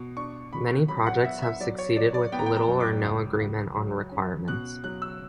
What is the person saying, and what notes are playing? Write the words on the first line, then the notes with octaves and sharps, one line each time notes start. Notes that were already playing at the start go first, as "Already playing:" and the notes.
Many projects have succeeded with little or no agreement on requirements.
Already playing: B2
D4 C#6
B2 B5
F#3 B5
F#5
B3 E5
E5
F#3 D5
C#5
F#3 D5
D5
B3 G5
A#5
G5
A#5
F#2
D6
C#2
C#2
F#3
C#4
B2 F#6
F#3 F#6
E6